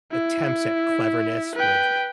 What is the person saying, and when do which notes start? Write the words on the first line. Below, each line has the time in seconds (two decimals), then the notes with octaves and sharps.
attempts at cleverness would
0.12 E4
1.56 B4 G5